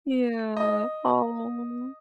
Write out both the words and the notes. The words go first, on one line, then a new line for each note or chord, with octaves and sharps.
Yeah, oh.
D#5